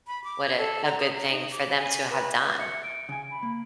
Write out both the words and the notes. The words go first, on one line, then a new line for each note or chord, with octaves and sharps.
What a a good thing for them to have done."
B5
D6
G#6
A4
A#5
D#6
A#5
D#4
D6
G#5
B4
E5 C#7
D7
C#3 G#5
B5
A#3